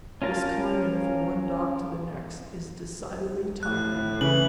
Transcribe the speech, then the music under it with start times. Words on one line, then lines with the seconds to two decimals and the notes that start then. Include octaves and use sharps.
"This climbing from one dock to the next is decidedly tiring."
0.22 C#4 F4 A#4 F5 A5
3.63 A2 F#6
4.21 C#3 E3 F#7